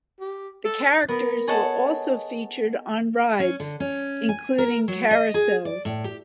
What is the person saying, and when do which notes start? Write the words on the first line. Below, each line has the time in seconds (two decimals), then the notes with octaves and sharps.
The characters were also featured on rides, including carousels.
0.20 G4
0.65 A4
1.08 B3 A#4 B4
1.48 G#4 A4 C#5 D#5 F#5 A5
3.40 C#4
3.60 D3
3.80 C#4
4.29 G#5
4.58 A#4
4.88 F#3
5.11 D#5
5.34 G#4
5.65 D5
5.85 A2
6.04 G4